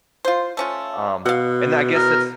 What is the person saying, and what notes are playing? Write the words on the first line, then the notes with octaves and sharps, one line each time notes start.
Um, and then I guess that's
F4 C5
A3 C#4 F4
B2 F5 F#5
B2 A#4